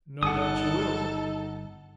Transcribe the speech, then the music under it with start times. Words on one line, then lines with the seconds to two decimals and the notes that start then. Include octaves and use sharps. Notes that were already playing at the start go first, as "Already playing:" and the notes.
"No doubt you will!"
0.23 G1 D#4 A4 F#5 D#6